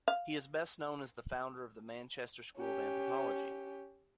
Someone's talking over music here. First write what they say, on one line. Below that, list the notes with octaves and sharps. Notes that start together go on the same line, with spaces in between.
He is best known as the founder of the Manchester School of anthropology.
F5
C#4 G4